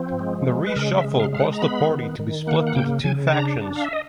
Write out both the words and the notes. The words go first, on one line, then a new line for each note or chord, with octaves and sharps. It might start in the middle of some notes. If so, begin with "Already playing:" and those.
The reshuffle caused the party to be split into two factions.
Already playing: F3 C4
G#3
G#3
B4
C#3 A#4
E5
G#3
F5
G#3 F5
F#5
A#5
B3 B5
D#3
D#3
A#3 F#5
F#5
C#3 G5
C#3 G#5
A5
D4 A#5
D4
F5
E5
D#5